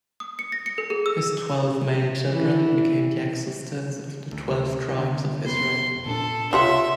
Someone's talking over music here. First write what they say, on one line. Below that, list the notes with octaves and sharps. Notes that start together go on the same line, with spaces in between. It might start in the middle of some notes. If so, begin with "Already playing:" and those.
His twelve male children become the ancestors of the Twelve Tribes of Israel.
D#6
C#7
A#6
C#7
A4
G#4
E6
E3
D2
D3 B3
F1 B3 C6
A#2 C4 D4 A4
C#2 C3 F4 C#5 E5 F#5